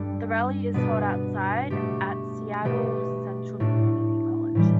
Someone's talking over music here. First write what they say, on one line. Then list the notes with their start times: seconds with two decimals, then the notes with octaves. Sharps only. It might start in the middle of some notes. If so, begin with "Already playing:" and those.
The Rally is held outside at Seattle Central Community College.
Already playing: G2 G3 D4 A4
0.74 B2 B3 D4 B4
1.70 B2 A3 G4
2.65 B2 A3 G4 B4
3.60 A2 A3 D4
4.55 A2 E3 G3